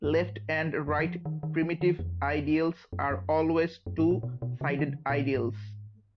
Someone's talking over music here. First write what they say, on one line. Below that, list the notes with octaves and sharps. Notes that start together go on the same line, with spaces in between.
Left and right primitive ideals are always two-sided ideals.
F#2
G#2
F#2
D#3
F3
D#3
D#3
F3
D#3
F2
F#2
F#2
F#2
G#2
A#2
B2
B2
C#3
F3
D#3
C#3
B2
A#2
G#2